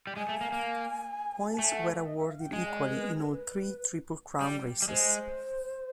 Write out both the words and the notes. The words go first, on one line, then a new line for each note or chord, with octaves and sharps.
Points were awarded equally in all three Triple Crown races.
G3
G#3 G#5
A3
A#3
A#3
A5
A3 G#5
F#5
E5
D#5
E5
F5
G5
G#3 G#5
D5
C5
A#4
B4
A#4
B4
G3
G3
G#3 C5